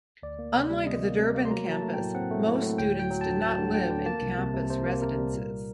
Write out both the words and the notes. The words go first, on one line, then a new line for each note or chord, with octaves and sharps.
Unlike the Durban campus, most students did not live in campus residences.
D2 D5
A#3
C3
G3
C3 D#5
A#3
C3
A#3
C6
F#3 A#5
F#3
A5
A3
G5
A2
C4 F#5
A3
A2
A2
D2 G5
F#3 G5
F#3
A5
D3
D2 A5
D3
D3 G5
D3
A#3 A5
C2
C3
C3
C3 C5
A#3
C3 A#4
G3
A#2